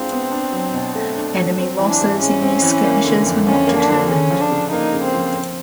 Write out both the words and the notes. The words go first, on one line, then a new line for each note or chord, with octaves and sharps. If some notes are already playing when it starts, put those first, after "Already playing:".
Enemy losses in these skirmishes were not determined.
Already playing: G#3 C4 D4 F4
B3
D4
F#3
B2
A3
D4
F#3
C4
E3
D4
G#2
G#3 C#4
C4
E3
A#3
D3
F2
F3 C#4
A#3
D4
D3
C#3 C#4
F3
D4
C#3
A#3 D#4
C#3
C4
F3
C4